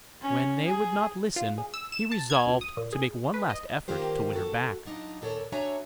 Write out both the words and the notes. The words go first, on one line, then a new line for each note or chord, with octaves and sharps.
When they would not listen, he resolved to make one last effort to win her back.
C#4
G#4
F4
G#4
E6
E7
A5
G#6
D2
D#6
A#2
G#4
B4
D#5
D#3 A#3 F4 G4 C5
F#4 A4
F#3 D4 D#4 F4
D#2 A#2 A4 A#4 C#5 A5
D4 F#4 C#5 E5 G#5 A#5